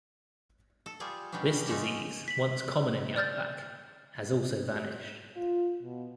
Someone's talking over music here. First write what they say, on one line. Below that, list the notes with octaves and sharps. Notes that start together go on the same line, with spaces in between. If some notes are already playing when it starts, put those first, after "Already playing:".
This disease, once common in the outback, has also vanished.
A4
G3 F4 G#4 D5
B2 G3 B3 C#4 D4
G#3 A3 C#4 F4 A4 D5
B6 F#7
D5 F6 G6 A6
F4
B2